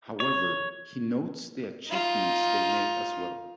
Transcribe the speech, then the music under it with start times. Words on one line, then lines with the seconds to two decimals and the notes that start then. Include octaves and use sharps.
However, he notes the achievements they made as well.
0.20 C#5
1.88 D#4 F4